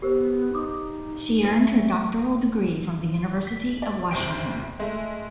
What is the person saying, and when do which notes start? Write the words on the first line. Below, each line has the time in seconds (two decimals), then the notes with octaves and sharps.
She earned her doctoral degree from the University of Washington.
0.02 B3 G4 A#4 C5
0.54 D#4 C6 D6 D#6
1.44 A3 F4 B4
3.47 B6
3.82 D5
4.11 F#1 C2 F2 C5 G5 D7
4.80 G#3 A3